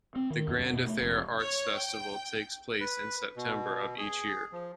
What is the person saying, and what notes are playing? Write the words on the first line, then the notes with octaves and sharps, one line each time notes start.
The Grand Affair Arts Festival takes place in September of each year.
C4
D#3
F#2
F#2
B2
A3
F1
C#5
G5
B4
B2
G#4
F3